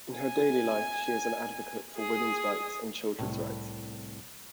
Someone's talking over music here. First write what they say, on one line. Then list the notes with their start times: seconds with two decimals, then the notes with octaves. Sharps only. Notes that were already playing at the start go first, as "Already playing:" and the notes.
In her daily life she is an advocate for women's rights and children's rights.
0.17 G#5
1.96 G#4 D#6
3.19 C2 A2